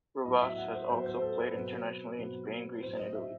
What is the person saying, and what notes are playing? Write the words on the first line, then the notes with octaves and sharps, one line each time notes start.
Rivas has also played internationally in Spain, Greece, and Italy.
A2 F#3 B3 D#5
E5
F#5
C5
A2 F#3 B3 C5
C5
A4
B4
B2 F#3 C4
B2 F#3 C4
A2 F#3 C4 C5
D#5
E5